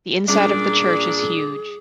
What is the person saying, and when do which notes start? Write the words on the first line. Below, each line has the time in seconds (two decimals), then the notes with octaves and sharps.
The inside of the church is huge.
0.28 A#2 G3 C#4 D4 G#4 D6